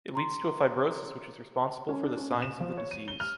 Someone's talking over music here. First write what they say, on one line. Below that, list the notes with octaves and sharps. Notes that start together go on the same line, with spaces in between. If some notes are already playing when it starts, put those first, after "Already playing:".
It leads to a fibrosis which is responsible for the signs of the disease.
A#5 C6
C#4
D4
C#4
A#2
E7
F3
C#5
D#7
G7
F6